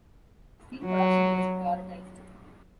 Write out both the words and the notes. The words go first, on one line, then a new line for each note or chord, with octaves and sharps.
Steel production was prioritized.
F#3